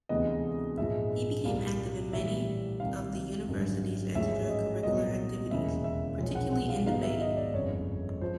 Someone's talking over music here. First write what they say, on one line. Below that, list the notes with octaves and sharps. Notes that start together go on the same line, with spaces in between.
He became active in many of the university's extra-curricular activities, particularly in debate.
D2 C3 E3 G#3 B3 D#5
A#1 G#2 F3 G#3 E5
C2 A#2 G3 F5
A#1 A2 E3 G3 E5
C2 C3 D#3 F5
G#1 F#2 D3 G3
A1 G#2 F3 G#3 C#4 E5
D#5
C2 A#2 F#3 B3 D#5
E1 D#2 C#3 E3 E5
E5
B1 A#2 F3 G#3 C#4
F#5
F#5
F5
G#2 D#3 F#3 B3 D#4 F5
E5
D#5
D5
G1 F2 C#3 C#5
F3 C5